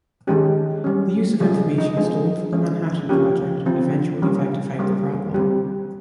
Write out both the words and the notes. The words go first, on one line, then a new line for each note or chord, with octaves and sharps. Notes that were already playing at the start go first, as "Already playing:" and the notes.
The use of information stolen from the Manhattan Project eventually rectified the problem.
D#3 G#3 C#4 G4
G3 C#4
C#3 F3 G#3 G#4
D#4
F3 G#3 C4 G#4
F3 G#3 C#4
F3 A#3 C#4 G4
F3 C4
G3 A#3 C#4
C#3 G3 A#3
G3 C4 G4